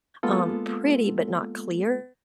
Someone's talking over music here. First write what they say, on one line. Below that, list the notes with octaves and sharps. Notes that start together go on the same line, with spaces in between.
um, pretty but not clear,
G#3 A#3 B3 F4 A4